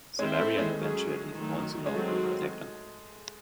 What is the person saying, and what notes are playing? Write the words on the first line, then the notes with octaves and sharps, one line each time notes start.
Severian eventually falls in love with Thecla.
G#3 C4 E4 C5 E5
A3
G#3
F#3 C#4 G#4
D#3 F#3 A3
G#3
D#3 F#3 A3 C4 F#4